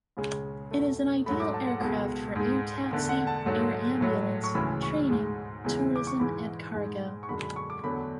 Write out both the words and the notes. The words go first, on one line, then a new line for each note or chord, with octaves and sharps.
It is an ideal aircraft for air taxi, air ambulance, training, tourism and cargo.
C#2 C#3 G#3
E2 B2 A3
G#2 F#3 A3 B5
D6
A5
F#5
C#2 B2 G#3 A4
G#2 G#3
E2 D3 A3
F#5
A5
G#2 F#3 A3
A2 F#3 A3
C#6
D2 C#3 E3 G#3 B5
C#6
G#2 G#3
E2 C#3 E3 G#3
D6
C#6
G#2 E3 G#3 B5
G#2 G#3
C#6
F#2 D3 G#3 B5
B5
C#6
D6
E2 D3 F#3 A3 B5